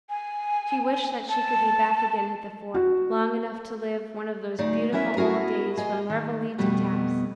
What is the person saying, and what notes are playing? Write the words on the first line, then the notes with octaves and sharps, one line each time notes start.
She wished that she could be back again at the fort, long enough to live one of those beautiful old days from reveille to taps.
G#5
A5
F#4
D2 A3 D#4 G#4 D5
B3 C#4 E4 A#4 E5
B3 E4 F#4 G#4 A#4
G#4 D#5
D#3
F2 B2 G3 A3 B3